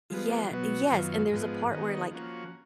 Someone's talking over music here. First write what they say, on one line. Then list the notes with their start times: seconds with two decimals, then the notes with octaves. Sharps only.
Yeah, yes, and there's a part where, like,
0.10 F3 G#3 B3
0.51 B2 F#3 B3 F#4
0.91 F#2 D#3 F#3 B3 F4
1.31 G#2 F3 G#3 B3
1.71 D#3 G#3 B3 D#4 F#4
2.11 F3 A#3 C#4 F#4